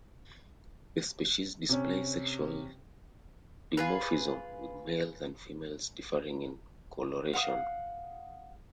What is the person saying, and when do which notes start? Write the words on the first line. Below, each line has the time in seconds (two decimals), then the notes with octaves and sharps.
The species displays sexual dimorphism with males and females differing in coloration.
1.69 C3 C#4
3.77 F4 G#4 B4
7.33 F5 F#5 C6 D#6